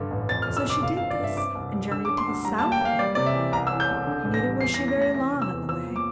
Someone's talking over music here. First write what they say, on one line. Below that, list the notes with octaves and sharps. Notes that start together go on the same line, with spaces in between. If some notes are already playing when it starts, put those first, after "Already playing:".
So she did this, and journeyed to the South Wind, neither was she very long on the way.
Already playing: G2 D3
A1
F2 A6
F6
F2
E6
F1
D6
G1 F5
F5
F3
D5
G2 E5
C4 D6
C2
G3
D3 E6
D6
D4
C6
D2
G3 A#5
A5
A#3
G5
A#3 F5
G3 D5
C3 D5
E5
E3
C2 A#5
E6
E3
G6
C2
D3
A1
A#6
G3
E2 C7
A#6
E3
A#6
A3
A#6
E3 A#6
C3
E6
E2
F3 E6
A#3
D6